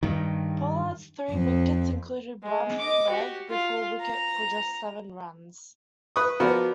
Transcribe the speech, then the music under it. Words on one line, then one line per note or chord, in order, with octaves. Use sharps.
Pollard's three wickets included Bradman, leg before wicket for just seven runs.
G2 D#3
F2
G#3
D#5 D6
F#4 G4
F4
A#5
B4 C#6 D#6
F3 B3 F#4 A#4 D5